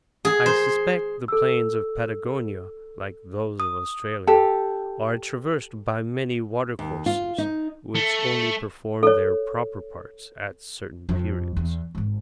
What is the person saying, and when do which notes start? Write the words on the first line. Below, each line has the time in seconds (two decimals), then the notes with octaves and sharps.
I suspect the plains of Patagonia like those of Australia, are traversed by many water-courses which only perform their proper parts at certain periods.
0.25 G#4
0.46 C5
1.28 A4 E6
3.60 D#6
4.27 G4 A4
6.79 D#2
7.06 F4
7.38 D#4
7.95 A3
9.03 A4 C#5
11.09 F2
11.56 E2
11.95 G#1 G#2